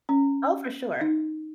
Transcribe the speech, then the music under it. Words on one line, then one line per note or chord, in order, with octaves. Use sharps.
Oh, for sure.
C#4
D#4